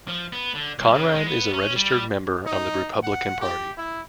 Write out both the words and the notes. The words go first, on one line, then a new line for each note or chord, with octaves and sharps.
Conrad is a registered member of the Republican Party.
F3
B3
D3
B1
C#3
G#3
B3
C#4
G3
D#4
F#5
G4
E4